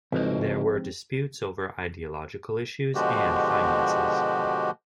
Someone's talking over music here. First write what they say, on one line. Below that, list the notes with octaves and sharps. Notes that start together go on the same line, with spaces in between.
There were disputes over ideological issues and finances.
A1 C#3 F3 G#3 C4 D#4 F#4 D#5
B2 D3 F3 G#3 F#4 G4